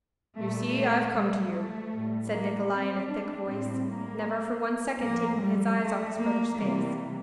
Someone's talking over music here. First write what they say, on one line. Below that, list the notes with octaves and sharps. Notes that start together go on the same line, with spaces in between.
"You see, I've come to you," said Nikolay in a thick voice, never for one second taking his eyes off his brother's face.
A#2 G3 A3
A3
G3
A3
A2 G3
A#3
C4
D4
A2 G3 C4
A#3
A2 F3 A#3
G3
A3
A#3
C3 E3 G3 A#3